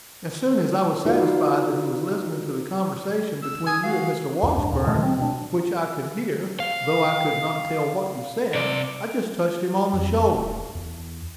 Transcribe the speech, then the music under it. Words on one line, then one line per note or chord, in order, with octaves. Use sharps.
As soon as I was satisfied that he was listening to the conversation between you and Mr. Washburn, which I could hear, though I could not tell what you said, I just touched him on the shoulder.
D#4 F4 F#4 B4 D5 F5
E6
G#5 D#6
F#4 F5
E2
D#1 E2 G#2 D4
D#2 A#2
A#2 D#3 G#3 A3
C4
B2 D4
F5
C3 D5
F2
D#1
E2